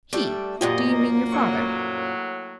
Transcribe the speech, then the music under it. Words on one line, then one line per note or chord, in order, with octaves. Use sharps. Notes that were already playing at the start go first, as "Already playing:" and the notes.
"He--do you mean your father?"
G3 A3 D4
F#2 A#2 F3 A#3 F4 G4 D5 D#5
A2 F#3 C#6